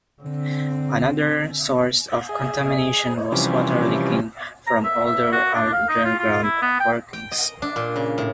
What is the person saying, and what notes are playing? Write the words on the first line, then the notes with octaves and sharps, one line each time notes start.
Another source of contamination was water leaking from older underground workings.
D3 C4
G#4
C3 E3 F3 G3 C#4
A#5
E5
E5
F#4
D4
F5
D#4
F4
F4
E4
B3
G5
G5
D#5
D4
A#2
C#3
A2